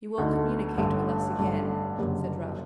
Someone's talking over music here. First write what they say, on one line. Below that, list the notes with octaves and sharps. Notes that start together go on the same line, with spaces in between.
'You will communicate with us again?' said Ralph.
D2 D3 A3 D#4
A1 G2 D3 A3
A1 G2 D3 A3
F#1 F#2 D3 G3